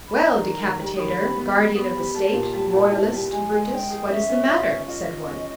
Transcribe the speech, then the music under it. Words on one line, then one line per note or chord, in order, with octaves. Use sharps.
"Well, Decapitator, Guardian of the State, Royalist, Brutus, what is the matter?" said one.
B5
D4 A#5
D#3
D#3
G3
D#3 B5 D#6
G3
B3
G3
B3 B5 D#6
G3
G3 A5
A#2
G3
A#2
E4
G3
G#3 G#5
G#3
G#3 G5 G#5
G#4
C#4 E5
C#4
F4
C#4
F4 D#5
F4
C#4